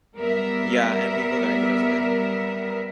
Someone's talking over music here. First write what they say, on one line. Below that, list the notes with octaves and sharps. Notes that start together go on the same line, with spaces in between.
Ya and people died because of it.
G3 B3 A#4 E5